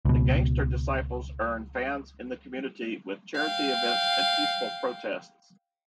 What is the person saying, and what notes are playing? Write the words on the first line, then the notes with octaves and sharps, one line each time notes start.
The Gangster Disciples earned fans in the community with charity events and peaceful protests.
C#2 B2
F5 G5